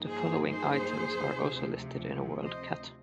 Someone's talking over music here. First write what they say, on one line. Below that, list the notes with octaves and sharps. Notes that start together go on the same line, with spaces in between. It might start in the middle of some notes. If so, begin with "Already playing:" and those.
The following items are also listed in WorldCat.
Already playing: G2 F3 A#3 D#4
G#4 C5
G#4 C5
D2 C3 F3
C5 D#5